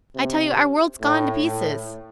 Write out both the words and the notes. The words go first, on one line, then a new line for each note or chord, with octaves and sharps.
I tell you--our world's gone to pieces.
C3
A2
A2